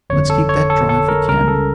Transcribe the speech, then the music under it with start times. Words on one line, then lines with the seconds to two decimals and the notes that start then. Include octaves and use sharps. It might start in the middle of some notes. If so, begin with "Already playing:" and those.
Let's keep that dry if we can.
0.10 G1 F2 D3 C#5
0.30 A4
0.49 C#5
0.70 A4
0.89 A4
1.08 A#4
1.28 C#2 C#3 G3 C#4 A#4
1.48 A4